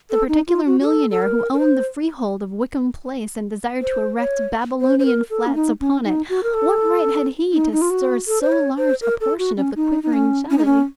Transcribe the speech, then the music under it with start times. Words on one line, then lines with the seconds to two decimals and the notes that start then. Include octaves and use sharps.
The particular millionaire who owned the freehold of Wickham Place, and desired to erect Babylonian flats upon it--what right had he to stir so large a portion of the quivering jelly?
0.11 A4
0.29 D#4
0.48 F4
0.66 F#4
0.80 F#4
0.84 A4
1.11 A4
1.22 A#4
1.54 A#4
1.59 C5
3.82 C5
4.19 C#5
4.81 C5
4.99 C5
5.06 A#4
5.30 A4
5.47 C#4
5.55 D#4
5.80 C#4
6.05 D#4
6.29 F#4
6.43 A#4
6.54 A4
7.53 D#4
7.72 D#4
7.82 F4
7.90 F#4
8.27 A4
8.42 C5
8.52 C#5
8.77 C5
9.02 A#4
9.21 A4
9.39 F#4
9.57 C#4
9.76 D#4
10.03 D#4
10.13 C#4
10.51 C#4
10.58 D#4
10.65 C#4